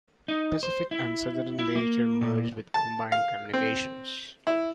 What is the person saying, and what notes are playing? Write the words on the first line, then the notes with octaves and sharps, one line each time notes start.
Pacific and Southern later merged with Combined Communications.
D#4
C5
E4
E4
A#3
A#2
A5
F5
C4
E4